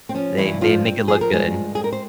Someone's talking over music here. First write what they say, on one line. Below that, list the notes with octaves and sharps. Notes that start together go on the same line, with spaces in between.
They they make it look good.
C4
F3 C#4
G2 E3 E4
F3 G#3 F4
C4
F3 G#4
A#4
G2 G#3 G#4
G#3
C4 G#4
A#4
C5